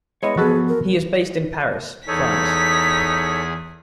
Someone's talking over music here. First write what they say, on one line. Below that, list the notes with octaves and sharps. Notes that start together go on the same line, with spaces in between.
He is based in Paris, France.
G#3 B3 E4 C#5 D#5
F3 B3 F#4 G#4 A4 B4
A#4
E2 D#4 G#4 A4 C#5 B6